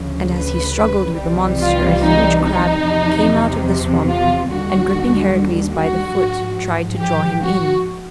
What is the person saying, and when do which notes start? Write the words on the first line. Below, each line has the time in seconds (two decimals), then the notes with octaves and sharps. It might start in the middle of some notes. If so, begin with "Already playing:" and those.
And as he struggled with the monster a huge crab came out of the swamp, and gripping Heracles by the foot tried to draw him in.
Already playing: D2 C#3 F3
0.34 B4
1.18 C2 C3 E3 G3
1.59 F4
2.01 D#4
2.42 D#4
2.83 E2 C3 F3
4.09 F4
4.49 D#2 D3 G3 F#4
5.74 F#4
6.17 G#2 F3
7.00 G4
7.42 F#4